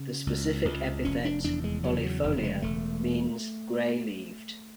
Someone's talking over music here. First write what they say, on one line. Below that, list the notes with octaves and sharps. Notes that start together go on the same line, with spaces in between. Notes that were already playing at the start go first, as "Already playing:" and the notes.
The specific epithet "polifolia" means "grey-leaved".
Already playing: C#3
C#2
C#2
F1 C#4
D4
E2 D4
G#3
C#3 F#3
F#3
F1
G#3
E1 A3